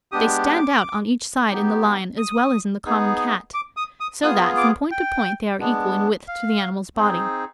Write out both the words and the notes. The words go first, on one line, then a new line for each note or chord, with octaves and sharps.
They stand out on each side in the lion, as well as in the common Cat; so that, from point to point, they are equal in width to the animal's body.
G#3 B3 D4 G4 D#6
D6
B3 D#4 G4
D#6
B3 D#4 G#4
D6
D#6
D#6
B3 F4 G#4 D#6
D6
G5
G#3 B3 D4
F5
C4 D#4 G#4